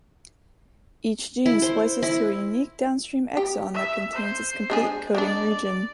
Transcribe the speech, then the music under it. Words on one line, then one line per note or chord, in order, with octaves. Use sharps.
Each gene splices to a unique downstream exon that contains its complete coding region.
E4
C5
E4
G4
E5
C5
G#3 D4 G#4
G#3 D4 D5